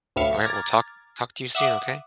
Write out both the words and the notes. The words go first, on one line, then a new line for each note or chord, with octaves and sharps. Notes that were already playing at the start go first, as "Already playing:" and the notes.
Alright, well talk talk to you soon, okay?
D2 A2 E5 F5 C#7
A#5 D6 F6 G#6 A6
E5 F#5 D6 D#6